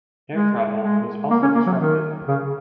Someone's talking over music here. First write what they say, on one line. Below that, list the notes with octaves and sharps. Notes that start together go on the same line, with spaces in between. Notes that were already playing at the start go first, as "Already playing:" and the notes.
Air travel was also disrupted.
G#3
G#3
A#3
C#4
A#3
F#3
D#3
C#3